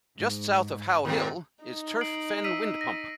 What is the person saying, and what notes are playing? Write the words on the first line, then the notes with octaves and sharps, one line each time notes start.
Just south of How Hill is Turf Fen windpump.
G#2
D#2 A#2 C4
D#4
C7 D7 F#7
E6 B6 D#7
A#6